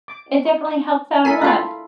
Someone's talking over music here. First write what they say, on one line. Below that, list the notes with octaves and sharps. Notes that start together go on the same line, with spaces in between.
it definitely helps out a lot.
D6
E4 A4 A#4 G#5 B6
D4 F4 A4 F5 B5